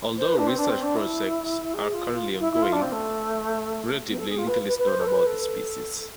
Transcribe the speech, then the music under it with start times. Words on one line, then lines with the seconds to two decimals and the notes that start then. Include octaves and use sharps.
Although research projects are currently ongoing, relatively little is known about this species.
0.18 C5
0.28 B4
0.37 D4
0.47 C4
0.57 D4
0.69 C4
0.83 D4
0.96 E4
1.74 G#4
1.94 F4
2.13 F4
2.40 E4
2.52 E4
2.62 F4
2.73 D4
2.82 C4
2.92 A3
4.09 B3
4.18 A4
4.29 G#4
4.38 F4
4.47 B4
4.68 B4
4.78 B4
4.87 C5
5.00 A4
5.07 B4
5.26 A4